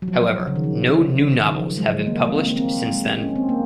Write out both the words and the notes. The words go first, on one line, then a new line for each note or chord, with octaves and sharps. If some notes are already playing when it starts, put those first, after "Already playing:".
However, no new novels have been published since then.
F#3
F3
C#3
D#3
F3
C#3
D#3
F3
F#3
G#3
A#3
C4
A#3
C4
G#3
C#4
C4
A#3